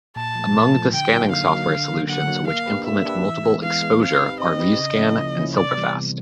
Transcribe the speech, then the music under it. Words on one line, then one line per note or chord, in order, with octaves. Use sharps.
Among the scanning software solutions which implement multiple exposure are VueScan and SilverFast.
A#2 A5
F3 A3
A#2
F3 A3
D3 G5
F#3 A#3 D#4
D3 F5
F#3 A#3 D#4
D3
F#3 A#3
D3 F#5
F#3 A#3
A#3 F5
D4 G4 B4
A#3 E5
D4 G4 B4
E3
G#3 B3
E3 F5
G#3 B3
C4 F5
D#4 G4 B4
C4 D#5
D#4 G4 B4
C#3
F3 A#3 C#4 E4
C#3
F3 A#3 C#4 E4
C3 D5
E3 G3 B3
C3